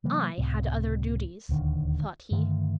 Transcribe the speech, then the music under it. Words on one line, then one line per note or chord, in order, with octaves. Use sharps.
"I had other duties," thought he.
C3 E3 F#3 A#3
C#2 A2 C3
D#1 D2 D3 D#3
G2 D3 D#3 A3